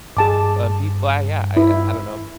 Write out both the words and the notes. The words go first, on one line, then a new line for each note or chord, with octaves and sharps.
and people uh, yeah, I I I don't know.
G2 G#4 A5 D6
E4